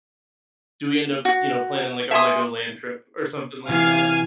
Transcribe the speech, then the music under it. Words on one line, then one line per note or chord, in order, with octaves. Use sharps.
do we end up, you know, planning, like, a LEGOLAND trip or something like that?
F#4
E5 G#5 C6 D#6
C3 E3 F4 F5 G#5